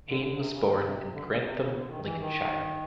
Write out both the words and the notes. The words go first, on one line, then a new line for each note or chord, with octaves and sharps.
Cain was born in Grantham, Lincolnshire.
D3
C#3
D3
C3
C#3
D#3
D3
C3
B2
C3
D3
C#3
C3
C#3
D3
D#3
E3
D#3